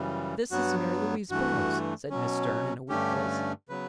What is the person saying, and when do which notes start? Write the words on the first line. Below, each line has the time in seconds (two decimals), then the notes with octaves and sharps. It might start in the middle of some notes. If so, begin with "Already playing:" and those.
"This is Mary Louise Burrows," said Miss Stearne, in a weak voice.
Already playing: F#2 C#3 E3 G3
0.51 G2 F#3 B3 F#4
1.30 G2 E3 A3 F#4
2.10 B2 F#3 C#4
2.89 G2 D3 A3 C#4 G4
3.69 C#3 F#3 B3 B4